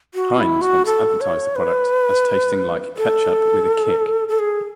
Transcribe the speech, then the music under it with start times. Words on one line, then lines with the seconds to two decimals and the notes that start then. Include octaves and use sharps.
Heinz once advertised the product as tasting "like ketchup with a kick".
0.15 F#4
0.38 E4
0.61 F#4
0.86 A4
1.21 C#5
1.56 B4
2.97 A4
4.29 A4
4.39 G#4